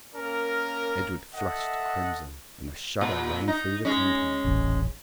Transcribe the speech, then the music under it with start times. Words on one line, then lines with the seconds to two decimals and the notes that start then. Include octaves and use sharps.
Edred flushed crimson, and a shudder ran through the company.
0.14 A#3 C#4 A#4
1.35 A4 D#5 E5 F#5
3.01 A#2
3.48 D#4
3.85 G#3 C#4
4.44 D#1 A1